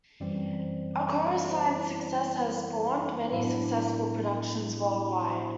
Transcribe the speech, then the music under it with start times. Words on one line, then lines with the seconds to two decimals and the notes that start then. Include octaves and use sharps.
"A Chorus Line"s success has spawned many successful productions worldwide.
0.20 F#2 E3 G3 C4 D5
0.60 C5
0.99 E5
1.24 D5
1.50 C5
1.77 E4
3.32 A2 F#3 B3 E4
3.43 D4
3.63 D4
4.89 E4
5.08 F#4
5.27 C5